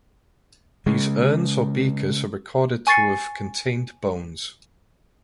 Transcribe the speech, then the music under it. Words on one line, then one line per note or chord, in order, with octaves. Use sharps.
These urns or beakers are recorded to have contained bones.
C#3 G#3
G#5 C#6 A6 C7 C#7